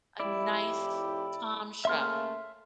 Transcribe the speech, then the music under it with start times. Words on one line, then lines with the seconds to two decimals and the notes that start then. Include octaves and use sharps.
a nice, calm, show.
0.20 F2 A2 E4 G4 D5
1.85 C#3 A3 A#3 E5 C6 F6